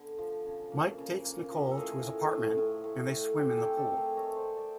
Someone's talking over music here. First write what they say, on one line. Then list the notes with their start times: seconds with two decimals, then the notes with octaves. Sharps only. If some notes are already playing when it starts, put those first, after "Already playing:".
Mike takes Nicole to his apartment, and they swim in the pool.
Already playing: D3 B3 G#4
0.18 F3
0.46 C#3
0.72 A#3
0.98 C#3
1.25 A#3
1.51 F3
1.71 A4
1.77 A2 G#4 A#4
2.05 A2
2.31 A2
2.58 A2
2.84 A2
3.11 A2
3.37 C4 G4 A4
3.51 G#4
3.57 G4 A4
3.64 A3
3.77 G4 A4
3.90 A3
3.97 G#4 A#4
4.17 A3 C#5 D#5
4.36 C5 D5
4.43 C4
4.56 D5 E5